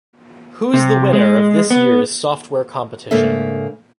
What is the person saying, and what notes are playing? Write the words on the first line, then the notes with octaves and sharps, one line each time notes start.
Who's the winner of this year's software competition?
C3
G#3
B3
G#2 C#3 A#3 D4 A4 E5